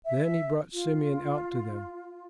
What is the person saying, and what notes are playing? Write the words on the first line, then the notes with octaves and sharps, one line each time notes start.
Then he brought Simeon out to them.
E5
F4